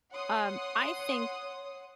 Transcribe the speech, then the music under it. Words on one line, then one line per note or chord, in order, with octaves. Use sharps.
um, I think,
C#5 F#5 C6 D#6